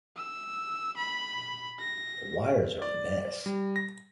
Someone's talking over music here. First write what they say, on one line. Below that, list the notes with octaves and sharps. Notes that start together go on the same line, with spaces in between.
The wires are mess.
E6
B5
A#6
D5
G3
A#6